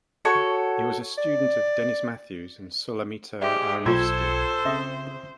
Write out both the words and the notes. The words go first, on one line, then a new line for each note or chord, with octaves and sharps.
He was a student of Denis Matthews and Sulamita Aronovsky.
F#4 A4 C#5
D5
G#2 G4 D5 E5 C6
B1 F4 A4 C5 G5 C6 E6 G#6
C#3 C4 E5 C6 D#6